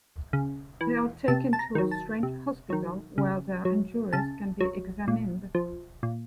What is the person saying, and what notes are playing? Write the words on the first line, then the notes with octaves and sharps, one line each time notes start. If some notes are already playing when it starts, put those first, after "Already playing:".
They are taken to a strange hospital where their injuries can be examined.
C#3
E3
C3 A5
A5
A#5
D#3 F#3
A5
C3
D#3 F#3
C#3
F#3
C#3 A5
F#3
A#2
F3
A#2